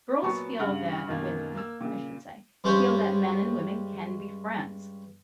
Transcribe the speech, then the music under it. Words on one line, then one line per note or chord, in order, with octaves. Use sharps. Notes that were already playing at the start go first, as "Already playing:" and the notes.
girls feel that women, I should say, feel that men and women can be friends.
A#2 F#3 B3 A5 C#6
G2 C#3 F#5 F6
F#2 B2 D#3 A#3
A#3 E6
A#2 C#3
G2 G#3 C#4 G4 C5 C#5